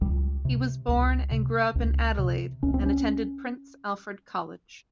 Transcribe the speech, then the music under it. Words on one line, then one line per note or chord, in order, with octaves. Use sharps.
He was born and grew up in Adelaide, and attended Prince Alfred College.
C#2 G3
C3
C#2
C3
C#2
C3
C#2 C#4
C4
C#4